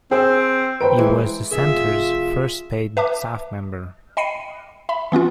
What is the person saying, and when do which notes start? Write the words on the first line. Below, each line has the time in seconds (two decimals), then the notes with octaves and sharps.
He was the center's first paid staff member.
0.11 C4 G#4 C5 G5 E6
0.81 B4 C5 G5 A#5 D7
0.98 E3 G#3
1.51 F1 F4 G#4 E5
2.97 B4 E5 A5 D6
4.17 D#5 G5 B5 C7 C#7 D#7
4.89 E5 B5
5.12 E3 B3 C#4 F4